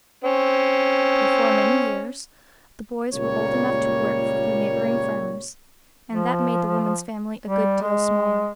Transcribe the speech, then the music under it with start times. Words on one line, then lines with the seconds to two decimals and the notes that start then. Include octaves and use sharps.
Before many years the boys were old enough to work for the neighboring farmers, and that made the woman's family a good deal smaller.
0.24 C4 C#4
3.13 C#2 A#2 G3 A#3 C#5
6.11 F3
7.47 G3
7.82 G#3